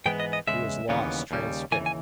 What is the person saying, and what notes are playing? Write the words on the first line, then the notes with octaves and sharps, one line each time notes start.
He was lost, transfixed.
G#2 E3 G#3 B3 G5
D#5
D#5
E2 C#3 G#3 E5
D#2 C#3 E3 G3 B3
D#2 C#3 G3
D#2 C#3 E3 G#5
G#5